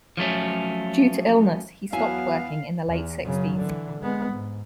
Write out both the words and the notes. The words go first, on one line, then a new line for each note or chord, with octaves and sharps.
Due to illness, he stopped working in the late sixties.
F3 F#3 A3 C#4
E2 F#3 B3 E4 F5 G#5
E2
F#2 C#3
D3 E3
G#3 B3
G#2